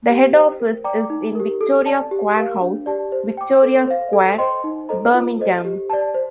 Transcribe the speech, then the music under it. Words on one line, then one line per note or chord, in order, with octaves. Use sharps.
The head office is in Victoria Square House, Victoria Square, Birmingham.
G4
C5 G5
A#4
D5 G5 A#5 D6
D#4
G4 A#4
A4
D5 A5
G4
A#4 F5
D4
G4 D5 A5
C5
G5 D6
A4
C5 F5
A4
C5 D#5 G5 C6
D#4
A4 C5 D#5 A#5
F4
A4 C5 D#5
G4
D5 A5
C5